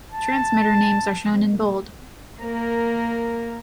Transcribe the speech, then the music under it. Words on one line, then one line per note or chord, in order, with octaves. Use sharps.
Transmitter names are shown in bold.
A5
A#3 A#4